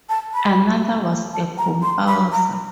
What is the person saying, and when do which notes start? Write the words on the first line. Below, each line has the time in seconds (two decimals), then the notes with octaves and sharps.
Another was a composer.
0.09 A5
0.34 B5
1.33 A5
1.58 A#5
1.82 C6
2.07 B5
2.32 A#5